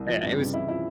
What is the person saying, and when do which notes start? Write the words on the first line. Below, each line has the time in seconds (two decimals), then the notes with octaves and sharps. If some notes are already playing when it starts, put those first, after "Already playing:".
Yeah, it was
Already playing: C2
0.08 F3
0.23 G2
0.32 C3
0.38 G2
0.45 C#3
0.54 E3 E4
0.69 F3 E4